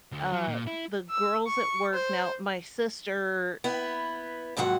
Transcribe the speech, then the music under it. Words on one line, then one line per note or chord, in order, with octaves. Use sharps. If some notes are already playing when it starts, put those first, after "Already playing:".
uh, the girls at work now my sister
D2
F#3
A#2
E4
E6
C#6
C5
B3 E4
D#2 G#2 F3 F#3 F#5